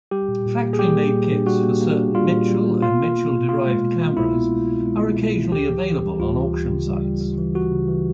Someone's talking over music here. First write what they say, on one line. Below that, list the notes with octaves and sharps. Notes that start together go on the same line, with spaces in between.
Factory-made kits for certain Mitchell and Mitchell-derived cameras are occasionally available on auction sites.
G3 G4
A#2
A#2
A#3
G#4
G3 G4
A#3
A#2
D4
G3 F#4
A#3
A#3
D4
G3 F4
A#2
G3
A#3
B2 F4
B2
B3
B2
B2 F4
G#3
B2
G#3
C2 E4
B3
G#3
B3
G#3
G#3
B2
G#3
D2 G4
E3
E3
G3
D2 F4
E3
D2
C#3
G3
G3
G3
E3
E3 F#4
C#3
E3